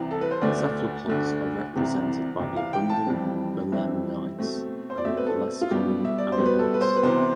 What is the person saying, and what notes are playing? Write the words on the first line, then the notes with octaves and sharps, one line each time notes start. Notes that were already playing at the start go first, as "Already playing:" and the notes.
Cephalopods are represented by the abundant belemnites and the less common ammonites.
Already playing: C2 C3 E3
A4
B4
C5
D2 D3 A3 D5
D2 D3 A3
C2 C3 E3
C2 C3 E3
F5
G5
A5
F2 E3 G3 C4
F2 E3 G3 C4 E5
B2 A3 C4
C5
D5
B2 A3 C4 E5
B4
A4
F4
B2 G3 B3 G4
E5
D5
C5
B2 G3 B3
B4
A4
B4
C5
B4
C2 C3 E3 B3 C5